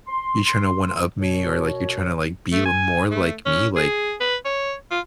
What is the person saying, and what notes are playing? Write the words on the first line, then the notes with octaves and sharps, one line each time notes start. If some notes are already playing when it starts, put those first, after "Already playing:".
you're trying to one-up me or, like, you're trying to, like, be more like me. Like,
C6
F#2 B2 C#5
A3
G#5
A3
C#4
G#4
B4
C#5
F4